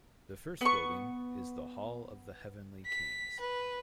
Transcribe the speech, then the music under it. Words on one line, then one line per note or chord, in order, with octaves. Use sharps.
The first building is the "Hall of the Heavenly Kings".
B3 C#6
B6
B4